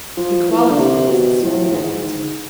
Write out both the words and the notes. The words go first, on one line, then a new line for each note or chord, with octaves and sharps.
Equality is the soul of equity.
F3
E3
D3
C3
B2
A2
G#2